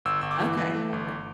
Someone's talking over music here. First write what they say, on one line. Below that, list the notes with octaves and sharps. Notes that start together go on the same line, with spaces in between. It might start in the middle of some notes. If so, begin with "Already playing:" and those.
Okay, okay.
G1 E6
G1 E6
D6
E3
E3
A3
G1